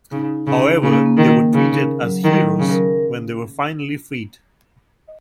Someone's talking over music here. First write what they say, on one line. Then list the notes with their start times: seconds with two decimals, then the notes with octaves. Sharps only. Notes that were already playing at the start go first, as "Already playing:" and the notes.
However, they were treated as heroes when they were finally freed.
0.11 C#3 D#4
0.35 D#4
0.47 C#3
0.59 D#4
0.82 C#3 A#3
1.06 A#3
1.18 D#3
1.29 D#4
1.53 C#3 D#4
1.76 A#4
2.01 F#3
2.23 D#3 F#3
2.47 F#3
2.59 C#3
2.70 A#4